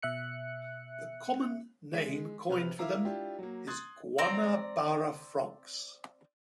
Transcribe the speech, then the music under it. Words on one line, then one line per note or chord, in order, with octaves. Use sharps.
The common name coined for them is Guanabara frogs.
B2 E5 F#6 C#7
G#3 B6
C3 B4 F6 F7
E4 A#4 E5 F5 A#5 D6
D4 E4 F4 G4
F#3 A#3
C6 D#6 F#6 G#6 A6
C4 D5 A#5